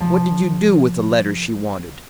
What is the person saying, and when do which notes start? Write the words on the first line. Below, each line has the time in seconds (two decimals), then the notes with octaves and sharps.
"What did you do with the letters she wanted?"
0.01 C3 F3